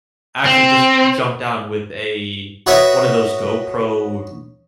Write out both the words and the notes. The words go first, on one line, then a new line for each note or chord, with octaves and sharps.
actually just jumped down with a one of those GoPro
C4
F#4 B4 C#5 D#5 E5